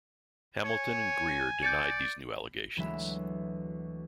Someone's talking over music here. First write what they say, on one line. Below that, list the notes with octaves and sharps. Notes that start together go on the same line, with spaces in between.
Hamilton and Greer denied these new allegations.
C#5 G#5
D5 G6 A6 C#7
D2 E3 F#3 G#3 E5